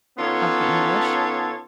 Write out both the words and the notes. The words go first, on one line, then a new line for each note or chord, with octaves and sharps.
of the English.
D#3 B3 C#4 F4 A4 C#5